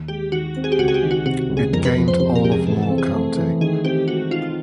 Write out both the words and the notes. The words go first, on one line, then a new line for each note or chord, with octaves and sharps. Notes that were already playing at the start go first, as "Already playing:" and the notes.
It gained all of Moore County.
Already playing: D#2
G#3 G4
D#3 F#4
C4
G#4
G4
C#2 F#4
G#4
G4
D#3
F#4
C3 F#4
C#2
G#4
F2 A#4
B4
F3
C5
C3 C5
A#4
G#3 G4
G#4
E3 A4
A4
C4
G#4
A3
E3
D#3 G#4
C4 G4
G#3 F#4
D#4 F4